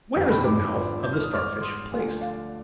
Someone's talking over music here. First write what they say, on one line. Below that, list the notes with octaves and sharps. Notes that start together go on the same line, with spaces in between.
Where is the mouth of the Starfish placed?
G1 F2 D#3 B3
G5 B5
B5 D6
G#1 G#2 F3 B3 D4
G6
F6
D#6
G#2 G3 B3 D6 F6
C6 D#6
D2 D3 F3
D5 F5